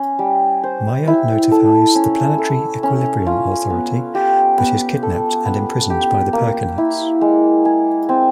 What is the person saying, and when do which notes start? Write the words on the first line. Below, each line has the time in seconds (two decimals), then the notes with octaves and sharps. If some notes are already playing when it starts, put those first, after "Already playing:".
Maia notifies the "Planetary Equilibrium Authority", but is kidnapped and imprisoned by the Perkinites.
Already playing: C#4
0.19 G3
0.63 C5
1.07 E4
1.51 A4
1.95 C#4
2.38 A4
2.83 C#4
3.27 F4
3.70 B3
4.15 G4
4.58 B3
5.03 A4
5.45 B3
5.90 G4
6.33 A#3
6.78 E4
7.21 G#3
7.65 G#4
8.09 C4